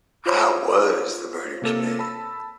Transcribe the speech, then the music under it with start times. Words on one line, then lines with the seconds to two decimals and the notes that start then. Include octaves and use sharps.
How was the murder committed?
0.26 F4 C5 C#5
1.62 C3 A#3 A4
1.99 A5 B5 E6